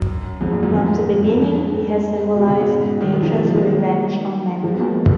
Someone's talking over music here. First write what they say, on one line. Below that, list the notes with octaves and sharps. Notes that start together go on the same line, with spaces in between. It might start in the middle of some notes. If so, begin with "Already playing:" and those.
From the beginning he has symbolized nature's revenge on mankind.
Already playing: F#2
F2 G#2
F#2 A#2
F#2 A#2
F2 G#2
G#2
F#2
F2
F#2
F2 G#2
B2
C#3
G#2 B2
B2 D#3
D#3 F#3
F3 G#3
F#3 A#3
F3 G#3
F3 G#3
D#3 F#3
F3 G#3
B3
F#3 A#3